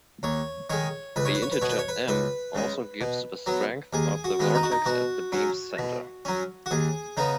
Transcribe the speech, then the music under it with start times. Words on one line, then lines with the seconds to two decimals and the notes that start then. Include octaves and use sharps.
The integer "m" also gives the strength of the vortex at the beam's centre.
0.23 D#2 C#5
0.70 D#3 G#3 C#5
1.16 C#2 B4
1.25 C#5
1.34 B4
1.42 C#5
1.52 B4
1.62 B2 B3 C#5
1.70 B4
1.79 C#5
1.88 B4
2.08 C#2 B4
2.55 C#3 G#3
3.01 B2
3.46 F#3 B3
3.93 D#2 G#4
4.24 F#4
4.40 D#3 G#3 B3
4.55 D#4
4.63 F#4
4.72 D#4
4.86 B2 F#4
5.32 F#3 C#4
5.79 B2
6.25 F#3 C#4
6.66 F#4
6.71 D#2 G#4
7.17 C#3 B3 D#4